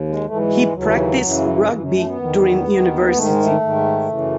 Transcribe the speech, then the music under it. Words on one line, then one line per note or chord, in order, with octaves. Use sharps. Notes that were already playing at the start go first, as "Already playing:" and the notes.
He practiced rugby during university.
Already playing: D#2
G#3
G#2 E3 A3
F#3
F#3
G#3
D#2 C#3 E3 F#3
F#2 C#3 E3
F#3
F#2 E3
F#3
A3
B3
E2 D#3
D#2 D#3
G#2 D#3 A3
G#3
A3
G#2 D#3
F#2 C#3 E3